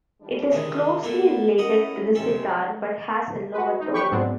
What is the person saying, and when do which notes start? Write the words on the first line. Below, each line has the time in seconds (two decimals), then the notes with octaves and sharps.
It is closely related to the sitar, but has a lower tone.
0.21 E3 G3 D4
0.52 C3 D#3 G#3
1.03 A#3 B3 D4 A4
1.58 C#4 E4 G#4 A#4 D#5 F#5
2.15 C3 G#3 C#4 A4
3.53 F#4 B4
3.80 D#4
3.94 G4 B4 G5 C#6
4.11 G#2 F#3 G#3 B3 C4 D4